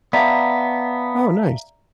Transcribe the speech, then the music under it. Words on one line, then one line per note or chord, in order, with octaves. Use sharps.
Oh, nice.
B3 D5 E5 F5 A5 A#5 B6